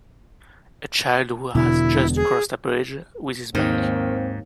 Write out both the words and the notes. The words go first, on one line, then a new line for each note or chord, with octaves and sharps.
A child who has just crossed a bridge with his bike.
E1 B2 D3 E4
G#4
D#2 G#2 D#3 C4